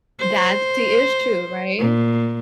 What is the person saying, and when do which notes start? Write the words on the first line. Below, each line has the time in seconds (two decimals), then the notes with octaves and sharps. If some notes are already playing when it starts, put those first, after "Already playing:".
That's the issue, right?
0.19 C5
1.79 A#2